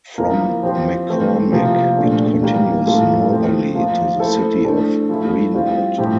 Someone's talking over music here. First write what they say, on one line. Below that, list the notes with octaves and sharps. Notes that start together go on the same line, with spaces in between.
From McCormick, it continues northerly to the city of Greenwood.
F3 A#3 E4 A#4
F3 C4 G4 C5
E3 A3 C4
C3 F3 A#3 F4
A#2 A3 D4
E3 G3 A#3
A2 F3 A#3 F4 A4
F3 A3 C4
F3 A#3 F4
A3 E4 A4 C5
A3 D4 A4 C5
F3 A3 E4
G3 C4 F4
A2 F3 C4 G4